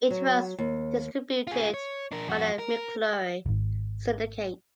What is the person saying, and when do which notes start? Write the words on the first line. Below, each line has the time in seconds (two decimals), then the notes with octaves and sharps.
It was distributed by the McClure Syndicate.
0.10 F#3
0.58 D#2
1.47 F4 G#4
1.74 C#5
2.12 D4 A#4
2.28 F2 F#4
2.59 A#4
3.46 D1 G#1